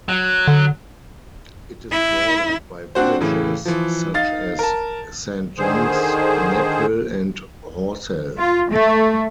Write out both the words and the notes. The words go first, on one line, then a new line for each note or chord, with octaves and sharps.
It is bordered by villages such as Saint John's, Knaphill and Horsell.
F#3
D3
E4
C4 D4 F#4 C5
A2 C#3 E3
E3 F3
D#4 F5 A6
A#4 A5
D3 D#3 G#4 C5
F4
A3